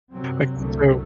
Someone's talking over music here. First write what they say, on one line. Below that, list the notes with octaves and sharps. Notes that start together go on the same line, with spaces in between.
Like, so
F#2 C3 F#3 C4
C2 F#2 D3 F#3 A3